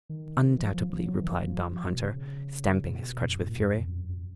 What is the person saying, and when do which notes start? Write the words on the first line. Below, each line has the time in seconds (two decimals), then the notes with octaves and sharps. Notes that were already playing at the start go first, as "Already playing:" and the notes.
"Undoubtedly," replied Tom Hunter, stamping his crutch with fury.
0.09 D#3
0.59 F3
0.74 F3
0.90 F3
1.06 F#3
1.15 F3
1.22 D#3
1.31 F3
1.94 B2
2.03 C#3
2.89 A#2
3.00 B2
3.28 F#2
3.38 G#2
3.48 A#2
3.58 F2
3.65 F#2
3.81 F2
3.97 F#2
4.09 F#2